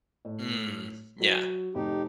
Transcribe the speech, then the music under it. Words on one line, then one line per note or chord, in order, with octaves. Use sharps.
Mm, yeah.
A2
F#3
F1 D#4 G4